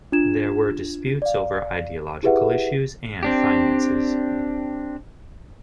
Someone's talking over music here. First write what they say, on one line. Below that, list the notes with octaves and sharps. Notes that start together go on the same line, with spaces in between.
There were disputes over ideological issues and finances.
D4 F4 G#6 E7
D5 F5
E4 G4 G#4 B4 E5 F#5
C4 D4 G4